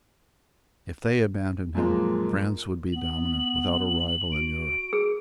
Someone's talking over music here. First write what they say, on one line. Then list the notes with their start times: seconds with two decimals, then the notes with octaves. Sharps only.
If they abandoned him, France would be dominant without a rival in Europe.
1.75 F#2 A#2 F3 G#3 A#3
2.92 B3 F#7
4.32 F#4 D7
4.93 G#4